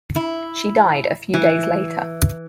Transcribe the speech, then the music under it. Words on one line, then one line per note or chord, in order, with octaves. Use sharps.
She died a few days later.
E4
E3